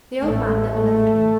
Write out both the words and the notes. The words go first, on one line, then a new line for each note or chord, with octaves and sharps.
The old man never left me.
A1 A2 A3
A3